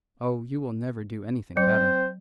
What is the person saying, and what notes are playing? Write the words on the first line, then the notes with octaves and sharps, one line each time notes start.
Oh, you will never do anything better.
F#3 C4 C5 G5